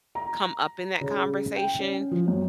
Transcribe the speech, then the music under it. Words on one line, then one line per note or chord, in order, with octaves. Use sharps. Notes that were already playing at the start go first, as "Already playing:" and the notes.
come up in that conversation,
A#5
C#3
G5
C#4
F3
F#2